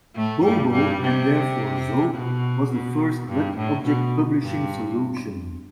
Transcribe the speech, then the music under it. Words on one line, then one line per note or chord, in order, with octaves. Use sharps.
Bobo, and therefore Zope, was the first Web object publishing solution.
A2 A3
G2 G3
G2 G3
C3
B2
B2
G2
A2
B2
G2